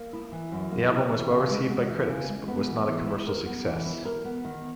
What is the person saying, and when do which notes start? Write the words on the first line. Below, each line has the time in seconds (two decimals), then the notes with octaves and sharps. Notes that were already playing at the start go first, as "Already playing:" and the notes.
The album was well received by critics, but was not a commercial success.
Already playing: A#3
0.13 E4
0.32 E3
0.52 F#2
0.71 A#3
0.91 E4
1.11 E3
1.30 C#3
1.50 G#3
1.69 B3
1.89 E3
2.09 C#3
2.28 G#3
2.48 B3
2.68 E3
2.87 E3
3.07 E4
3.27 A#4
3.46 B3
3.66 E3
3.85 E4
4.05 A#4
4.24 B3
4.45 D#3